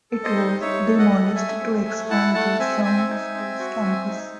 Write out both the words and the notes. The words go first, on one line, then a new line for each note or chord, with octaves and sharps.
It was demolished to expand the Sound School's campus.
A4
C5 D#5
D#4
D#4 C#5 E5
A4
D#5 F#5
A4
A3 E5 G#5
C4
A3
E4 F#5 A5
A3 F#5 A5
C4 E5 G#5
C4 E5 G#5
D#4
C4
F#4
C4
D#4